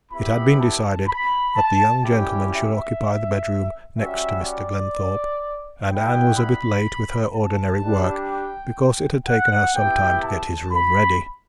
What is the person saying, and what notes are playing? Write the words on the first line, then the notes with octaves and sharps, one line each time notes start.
It had been decided that the young gentleman should occupy the bedroom next to Mr. Glenthorpe, and Ann was a bit late with her ordinary work because it had taken her some time to get his room ready.
B3 E4 G4 B5
A5
B5
A5
G3 C#4 E4 G4 G5
E5
G3 C#4 F#4 E5
D5
G3 B3 E4 G5
B5
A5
G3 D4 G4
G5
F#5
B3 E4 G4 G5
A5
B5